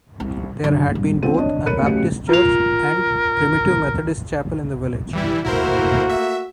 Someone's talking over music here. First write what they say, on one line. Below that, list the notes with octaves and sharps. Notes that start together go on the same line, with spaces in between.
There had been both a Baptist church and Primitive Methodist Chapel in the village.
C2 C3
F#2 D3
G2
G#1 B3 C4 F4 D#7
D4 C#5 D#5
A#4 C#5 B5 F#6 C#7 D#7
A1 A2 C#3 F#3 G4 C#7
F4 A#4 F7
E3 G3 E4
A3 A#3 E4 F#4 A#4 C5
E5